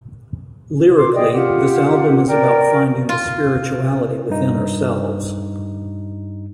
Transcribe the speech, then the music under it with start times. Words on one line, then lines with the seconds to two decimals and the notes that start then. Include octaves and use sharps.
Lyrically, this album is about finding the spirituality within ourselves.
0.96 C6 D6
1.14 G#4 D5 D#5 G5
1.32 F4 G4 F#5
2.28 A#4 D5 G5
3.09 F4
4.30 G2 D#4